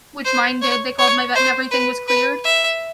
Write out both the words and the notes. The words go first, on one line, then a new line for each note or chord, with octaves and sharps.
which mine did. They called my vet and everything was cleared.
C5
C#5
C#5
C5
B4
B4
E5